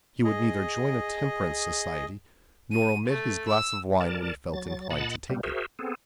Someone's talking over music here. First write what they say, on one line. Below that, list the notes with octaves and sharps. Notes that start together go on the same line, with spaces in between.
He would neither join a temperance society, nor omit his glass of wine when he felt inclined to take it.
G#4 D#5
D#7
A3
E6
A#4 D5 A5
F#3 A6
A#2 D#5 F#5 A5 B5 A6
B2 G3 A#3 C4
F#4 G#4 A#4 C5 E5
B3 C4 G#4 A4